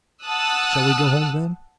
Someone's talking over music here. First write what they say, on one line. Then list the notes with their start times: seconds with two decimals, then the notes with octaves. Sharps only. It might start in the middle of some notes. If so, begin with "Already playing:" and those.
'Shall we go home, then?'
0.24 F#5 A5 D#6 E6 F#6